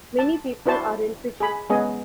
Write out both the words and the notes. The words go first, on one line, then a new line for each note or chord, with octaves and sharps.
Many people are in Fiji.
A5
D4 E4 F#4 C5 A5
G#4 B5
G#3 B3 C#4 G#4 D#5